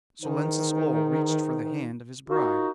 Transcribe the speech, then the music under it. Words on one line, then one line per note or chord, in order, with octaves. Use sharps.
Salensus Oll reached for the hand of his bride.
E2 G#2 D#3 D#4
A#3 D#4 F4 F#4